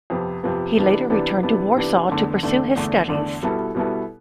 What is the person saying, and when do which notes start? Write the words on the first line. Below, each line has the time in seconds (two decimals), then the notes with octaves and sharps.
He later returned to Warsaw to pursue his studies.
0.10 F2 C3 F3 B3
0.43 F2 C3 F3 B3
0.77 C3 E3 B3 D4
1.10 C3 E3 B3 D4
1.43 C3 E3 B3 D4
1.76 C3 E3 B3 D4
2.09 E2 D3 A3 D4
2.43 E2 D3 A3 D4
2.76 E2 D3 A3 D4
3.09 E2 D3 A3 D4
3.43 B2 G3 B3 E4 A4
3.75 B2 G3 B3 E4 A4